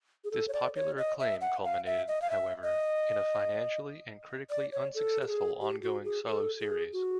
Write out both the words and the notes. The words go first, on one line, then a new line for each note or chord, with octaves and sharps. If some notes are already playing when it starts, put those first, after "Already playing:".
This popular acclaim culminated, however, in a financially and critically unsuccessful ongoing solo series.
G#4
A4
C#5
D5
C#5
D#5
E5
F#5
F5
E5
D#5
F5
E5
D#5
D5
C#5
A4
G4
G#4
G4
F#4
G#4
A4
G#4
F#4